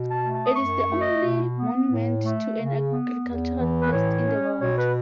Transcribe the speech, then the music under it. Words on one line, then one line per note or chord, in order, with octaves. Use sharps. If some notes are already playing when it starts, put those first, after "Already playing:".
It is the only monument to an agricultural pest in the world.
Already playing: B2
A5
A3
A5
D#6
F#2 C#6
C#6
A3
D#5
B2
B3
A2
A3
C#3
B3
E2
E3
B4
A2 C#5
C#4
B2 C#5
B4